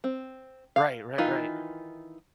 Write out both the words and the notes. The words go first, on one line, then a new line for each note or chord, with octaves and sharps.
Right. Right, right.
C4
F5
D#3 E3 D#4 F4